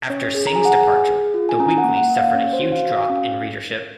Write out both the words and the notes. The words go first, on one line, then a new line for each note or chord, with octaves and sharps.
After Singh's departure, the weekly suffered a huge drop in readership.
C#4 C#5
G#4
A#5
G#5
G#4
F#5
G#5
G#4
G#4
F4
G#5
C#4 A#5
F#5
A#3
F#5
A#3
F5
C#4 C#5
C5
F#4
F5
F#4
F5
C#4